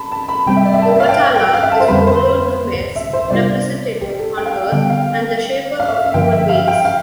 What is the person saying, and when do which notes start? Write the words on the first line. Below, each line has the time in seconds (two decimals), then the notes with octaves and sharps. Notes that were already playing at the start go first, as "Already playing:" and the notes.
Obatala is Olodumare's representative on earth and the shaper of human beings.
Already playing: A5 B5
0.12 A5
0.29 B5
0.47 C3 G3 C4 G5
0.56 E5
0.65 D5
0.73 E5
0.82 A5
1.00 F5
1.09 G5
1.36 G5
1.54 F5
1.63 E5
1.72 A5
1.80 C5
1.88 F2 D3 G3 C4 B4
2.07 C5
2.96 E5
3.13 C5
3.30 C3 G3 B3 D4 F4 D5
4.01 G4
4.19 A4
4.37 G5
4.46 F5
4.53 G5
4.72 D3 G3 B3 G5
4.90 F5
5.80 F5
5.88 E5
6.06 E5
6.14 G2 D3 F3 G5
6.32 E5
6.49 F5
6.68 G5
6.85 F5